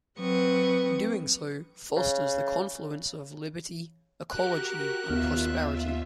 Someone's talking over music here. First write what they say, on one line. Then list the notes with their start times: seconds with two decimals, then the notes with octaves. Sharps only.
Doing so fosters the confluence of liberty, ecology, and prosperity.
0.18 F#3 C4 B4 C#6 D#6
1.96 C#3
4.31 F#4 G4 A#4 F#6
5.10 D#2 B3 F4 E5 F6